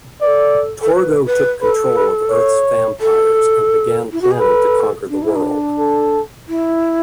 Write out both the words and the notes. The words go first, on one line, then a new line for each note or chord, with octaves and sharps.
Torgo took control of Earth's vampires, and began planning to conquer the world.
A4 B4 D5
A4
B4
B4
A4 B4
B4
C#5
A4
E4
F#4
G#4
A4 B4
D4
E4
D4
A4
E4